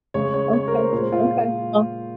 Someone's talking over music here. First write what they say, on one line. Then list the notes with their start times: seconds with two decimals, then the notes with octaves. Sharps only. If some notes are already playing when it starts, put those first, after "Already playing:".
Okay, okay, well
0.14 C#3 G#3 C#5
0.34 C#5
0.53 C#5
0.68 A#4
0.73 C5
0.93 A#2 G#3 C5
1.13 F4